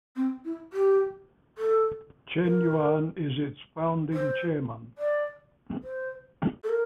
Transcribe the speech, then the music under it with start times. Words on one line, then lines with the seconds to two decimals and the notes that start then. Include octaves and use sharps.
Chen Yuan is its founding chairman.
0.16 C4
0.45 E4
0.73 G4
1.58 A4
2.44 A#4
4.14 C5
4.98 D5
5.83 C5
6.64 A4
6.69 A#4